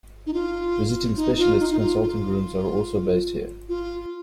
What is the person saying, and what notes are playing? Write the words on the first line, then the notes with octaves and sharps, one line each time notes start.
Visiting specialists consulting rooms are also based here.
D#4
F4
D#4
F4
D#4
D#4
F4
F4
F4